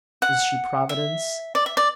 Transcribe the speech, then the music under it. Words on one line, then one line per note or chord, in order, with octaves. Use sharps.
Is she Providence?
F#5
E5
D5
E5
D5